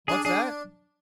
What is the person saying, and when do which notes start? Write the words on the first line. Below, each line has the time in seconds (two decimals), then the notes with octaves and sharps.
"What's that?"
0.08 D4 G#4
0.25 D4 G#4